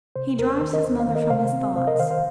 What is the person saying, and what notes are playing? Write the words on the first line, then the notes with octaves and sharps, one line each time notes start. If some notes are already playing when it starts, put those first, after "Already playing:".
He drives his mother from his thoughts.
C3 C5
D#2 A#4
C5
D#3 C5
A#4 D#5
D#2 C5
C5 F5
D#3
A#4 D#5
C3 C5 F5
C4
C3 C5 F5
A#4 D#5
D#3 C5 F5
C5 F5